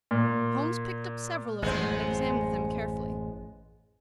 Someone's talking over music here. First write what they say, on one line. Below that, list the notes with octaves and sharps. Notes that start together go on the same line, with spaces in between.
Holmes picked up several of them and examined them carefully.
A#2
A1 F#2 G#3 B3 C5